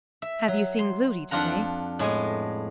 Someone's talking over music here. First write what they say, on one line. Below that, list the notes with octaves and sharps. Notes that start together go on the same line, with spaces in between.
"Have you seen Gloody to-day?"
E5
F#3
C6
F2 D4 F4 F#5 A#5
A2 G#3 B3 G#5